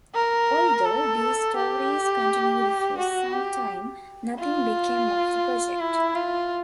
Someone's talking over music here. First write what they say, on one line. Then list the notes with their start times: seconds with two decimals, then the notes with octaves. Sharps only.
Although these stories continued for some time nothing became of the project.
0.15 A#4
0.85 A4
1.56 G4
2.98 F#4
3.33 G4
4.39 F4
5.80 E4
6.15 F4